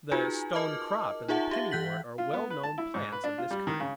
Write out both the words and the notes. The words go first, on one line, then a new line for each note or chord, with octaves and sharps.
The Stone-crop and the Penny-wort are well-known plants of this kind.
D#4 F4 F#4 G#4 B4 G#5
A#4 D#5 A5 D6 F6
D#4 F4 G#4 E5 F#5 A5
G4 E5 F5
E3 F#6 G6 B6 F#7
F4
B3
B4
A5
E4
G#2
B4
D4
F4
G3
D#3
C#3